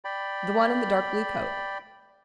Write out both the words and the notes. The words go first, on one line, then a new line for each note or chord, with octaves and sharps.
"The one in the dark blue coat?"
D5 G5 B5